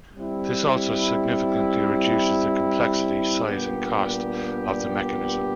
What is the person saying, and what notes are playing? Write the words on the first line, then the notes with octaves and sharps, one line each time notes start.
This also significantly reduces the complexity, size, and cost of the mechanism.
G3 C4 E4
A#2 G3 B3 D4 G4